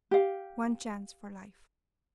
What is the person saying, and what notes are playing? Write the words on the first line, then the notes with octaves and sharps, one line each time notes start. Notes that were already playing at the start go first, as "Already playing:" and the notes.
One chance for life.
G4 F5